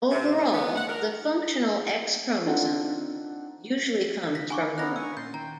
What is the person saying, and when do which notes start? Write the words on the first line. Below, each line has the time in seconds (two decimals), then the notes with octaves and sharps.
Overall, the functional X chromosome usually comes from the mother.
0.12 C3
0.37 A2
0.53 B3
0.76 F#5
0.88 A#4
2.46 C4 D4 D#4 F4 A4 F#5
4.35 C#3 A#6 B6
4.50 F5 F#5 G#5 B5 C#6 D6
4.78 B3 C#4 D4 E4 A#5 F#6 A#6
4.96 G#5 C#6 E6
5.17 A#2 C#4 C6 G6 A6
5.34 D#3 G5 A#5